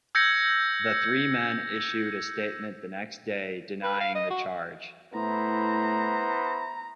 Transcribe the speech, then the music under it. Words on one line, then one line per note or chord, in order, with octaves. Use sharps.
The three men issued a statement the next day denying the charge.
E6 G6 G#6 A#6 C#7
B4
F5
D#5
F#4
A2 B3 E4 C5 A#5